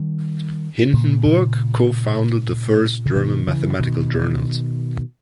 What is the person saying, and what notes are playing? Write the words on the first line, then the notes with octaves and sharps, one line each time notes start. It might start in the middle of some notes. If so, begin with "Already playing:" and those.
Hindenburg co-founded the first German mathematical journals.
Already playing: D#3 G3
A#2 C#3
A#2 C#3
C#3
B2 D#3
C#3 E3
B2 D#3